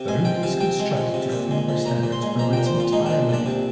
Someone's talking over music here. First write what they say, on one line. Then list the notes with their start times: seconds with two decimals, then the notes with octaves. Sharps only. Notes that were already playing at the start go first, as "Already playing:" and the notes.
The route is constructed to freeway standards over its entire length.
Already playing: C3
0.08 G#3 G#5
0.25 F3 G5
0.43 C3 F5
0.61 C3 G5
0.80 G#3
0.97 F3
1.14 C3
1.32 A#2
1.51 G#3
1.69 F3
1.85 A#2 A#5
2.03 A#2
2.12 C6
2.22 G#3
2.39 F3 A#5
2.53 A#2 G5
2.66 C5
2.75 A#2
2.80 F4
2.93 G#3 D#4
3.06 F3 D4
3.29 A#2 D4
3.46 C3